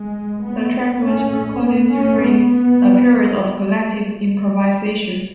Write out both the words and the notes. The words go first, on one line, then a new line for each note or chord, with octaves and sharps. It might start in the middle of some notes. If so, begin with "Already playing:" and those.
The track was recorded during a period of collective improvisation.
Already playing: G#3
B3
C#4
B3
C#4
B3